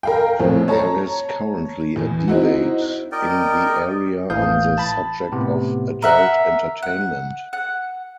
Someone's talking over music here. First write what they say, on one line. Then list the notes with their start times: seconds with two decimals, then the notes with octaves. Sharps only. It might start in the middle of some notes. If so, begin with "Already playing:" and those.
There is currently a debate in the area on the subject of "adult entertainment".
0.03 A#4 F5 G5
0.40 F2 A2 A3 C4
0.68 C#5 A5 A#5
1.96 E2
2.28 C4 D#4 E4 F#4
3.12 A#4 D5 D#5 G5
4.30 A1 A2 E3 F5 D#6 G6
4.78 A5 B5 A6
5.32 A2 C3 B3
6.02 A#4 E5 F#5
6.83 F#5
7.53 F#5